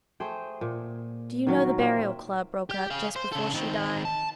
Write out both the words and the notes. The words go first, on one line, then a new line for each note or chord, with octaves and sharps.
Do you know the Burial Club broke up just before she died?
A3 G#4 C5 G5
A#2
D#3 F#3 A#4
A#2 C4 E5 F5
G4
G#4 F5
C5
C#3 A4
D#3 C4
A5